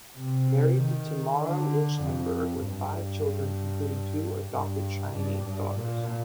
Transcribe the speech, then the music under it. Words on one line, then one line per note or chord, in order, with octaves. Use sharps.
Married to Tamara Lichtenberg with five children, including two adopted Chinese daughters.
C3
D#3
D3
F2
G2
G2
G2
G2
A#2